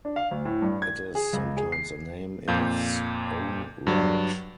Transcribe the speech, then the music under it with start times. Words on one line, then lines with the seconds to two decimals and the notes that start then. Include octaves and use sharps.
It is sometimes a name in its own right.
0.05 D4
0.16 F5
0.31 D2
0.45 A2
0.62 G2
0.82 G#6
1.15 G#4
1.33 C#2
1.57 G#4
1.72 C7
2.48 F2 A#2 F5 G6
3.87 G2 F#3 D5